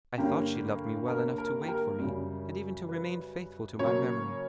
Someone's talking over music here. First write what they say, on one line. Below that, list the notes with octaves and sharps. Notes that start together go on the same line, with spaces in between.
I thought she loved me well enough to wait for me, and even to remain faithful to my memory.
G2 D3 A#3 C#4 G4
A#4
A#4
G4
A#4
F#2 C#3 G3 C#4
B4
C#3 F#3 A#3 C#4 C#5